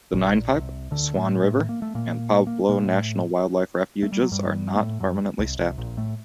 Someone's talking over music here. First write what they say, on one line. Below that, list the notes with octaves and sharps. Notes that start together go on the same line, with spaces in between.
The Ninepipe, Swan River, and Pablo National Wildlife Refuges are not permanently staffed.
A#1 A#2
C2 C3
D2 D3
A2 A3
A2 A3
A#3
A3
A#2 A#3
A#3
A#2 A#3
A2 A3
A3
G3
F#3
G2 G3
A#3
A2 A3
F#2 F#3
C2 C3
C2 C3
A#1 A#2
A2 A3